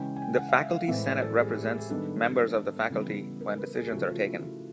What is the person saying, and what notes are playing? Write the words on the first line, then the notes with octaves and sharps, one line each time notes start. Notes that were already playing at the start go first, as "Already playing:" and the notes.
The faculty senate represents members of the faculty when decisions are taken.
Already playing: C#3 E3 G#3 C#4 G5
G#5
G5
F#5
F5
E5
F5
A2 E3 G#3 C4 E5
D5
A4
G4
G#4
G4
G#4
G#4
D#3 G3 B3 D4 A4
C#3 E3 G3 B3
A#4
B4
G#4
G4
C#3 F3 A3 F#4
F4
E4
F4